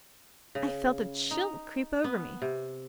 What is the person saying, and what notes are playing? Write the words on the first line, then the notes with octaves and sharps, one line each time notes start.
I felt a chill creep over me.
C#3
D#4
B3
C3